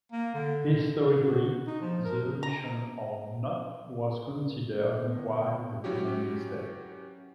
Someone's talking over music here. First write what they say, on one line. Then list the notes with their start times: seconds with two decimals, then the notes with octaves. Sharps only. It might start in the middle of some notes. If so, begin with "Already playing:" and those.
Historically, the omission of "not" was considered quite a common mistake.
0.12 A#3
0.34 D3
1.21 F#4
1.68 D#4
1.81 F3
2.05 A#4
2.43 A#5
5.00 A2 D3 B3
5.84 F#3 C#4 E4 F#4 G4